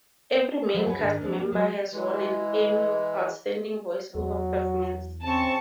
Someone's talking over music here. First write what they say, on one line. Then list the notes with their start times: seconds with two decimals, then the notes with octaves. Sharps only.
Every main cast member has won an Emmy for Outstanding Voice-Over Performance.
0.74 E3 F#3 G#3 C5 E5
0.86 G#4 B4 C#5 F#5 G#5
0.99 G#2 D#3 D4
1.21 E3 F3 C4 D4
1.39 A#3
1.52 F#3
1.91 E3 G#3
4.15 E2 F#3
5.23 C#3 C4 A5 C#6